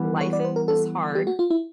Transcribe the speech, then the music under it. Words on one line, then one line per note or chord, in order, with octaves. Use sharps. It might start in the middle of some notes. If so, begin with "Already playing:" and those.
life is hard,
Already playing: E3 G3 B3
C#5
D5
C5
A#4
A4
G4
F#4
F4
E4